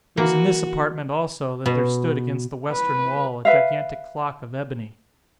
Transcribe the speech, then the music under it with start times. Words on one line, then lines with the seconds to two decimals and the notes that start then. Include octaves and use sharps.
It was in this apartment, also, that there stood against the western wall, a gigantic clock of ebony.
0.17 E3 A#3 F#4
1.66 B2
2.73 B4
3.45 B4 E5 F5